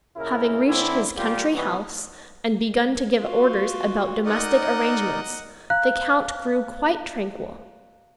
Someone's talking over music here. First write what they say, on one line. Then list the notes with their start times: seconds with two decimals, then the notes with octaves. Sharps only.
Having reached his country house and begun to give orders about domestic arrangements, the count grew quite tranquil.
0.17 A#2 C#3 E4 A#4
0.66 D3 C4 C#4 E4
1.16 A#2 G3 A#3 F4 G4
1.53 B2 E3 G3 B3 C4 F#4
3.20 F4 F#4
4.26 D#4 A#4 D5 D#5 F#5
5.70 F5 A#5 F#6